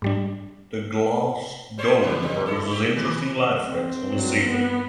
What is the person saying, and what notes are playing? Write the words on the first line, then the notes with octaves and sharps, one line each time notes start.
The glass dome produces interesting light effects on the ceiling.
G#2 G3 D4
G3 C5 C#5
G#2 C#3 G3
C#3 G3 C4
E4 A4
G4
D#3
C4
G2 F#3
B3